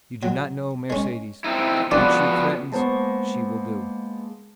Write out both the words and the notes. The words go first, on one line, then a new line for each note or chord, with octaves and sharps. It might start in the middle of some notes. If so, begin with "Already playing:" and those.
"You do not know Mercedes; what she threatens she will do."
F#3
G#3 C#4
C4 D#4 E4
C2 F3 B3 D4 F4 F#4 D5
G#3 A#3 B3 C5 A5 C#6